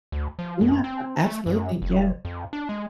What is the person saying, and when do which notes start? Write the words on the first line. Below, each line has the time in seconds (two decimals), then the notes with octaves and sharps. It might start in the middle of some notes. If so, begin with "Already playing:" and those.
Yeah, absolutely, yeah.
0.12 D2
0.39 F3
0.61 F#2
0.84 C4
1.26 A3
1.46 F#2
1.82 F1
2.25 F2
2.53 D4
2.69 G#3